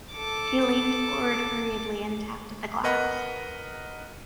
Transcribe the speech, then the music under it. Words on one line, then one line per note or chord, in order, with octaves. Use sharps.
He leaned forward hurriedly and tapped at the glass.
A4 D6
A#4 B4 D#5 F#5 B5